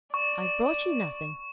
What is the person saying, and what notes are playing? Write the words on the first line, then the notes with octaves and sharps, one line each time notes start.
'I've brought you nothing.
D5 C#6